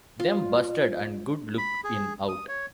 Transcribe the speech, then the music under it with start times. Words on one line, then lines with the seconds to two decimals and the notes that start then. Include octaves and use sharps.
Them," "Busted" and "Good Lookin' Out.
0.20 F4
1.58 B5
1.84 G#4
2.28 D#6
2.48 C#5